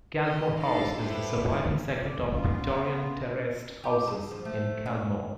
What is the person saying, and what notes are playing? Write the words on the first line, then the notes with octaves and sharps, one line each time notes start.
Caldmore House is the surviving segment of Victorian terraced houses in Caldmore.
D#5
D4 D#4 A4 F5 A5
E4 G4 A4 B4 C5
F4 D5
B3 C#4 F4
G4
G#4 A4
F3
A3
C#4